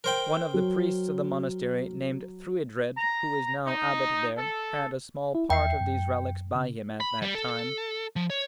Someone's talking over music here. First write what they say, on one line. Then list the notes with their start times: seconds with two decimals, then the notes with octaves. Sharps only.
One of the priests of the monastery, named Thruidred, who is now abbot there, had a small part of these relics by him at that time.
0.04 A#4 C5 G5
0.54 F#3
2.97 A#5
3.67 D#4
4.38 A4
5.35 E4
5.50 E2 E5 G5 C7
5.81 F#2
6.55 C#3
7.00 B5
7.22 G3
7.35 A4
8.16 F3
8.30 C#5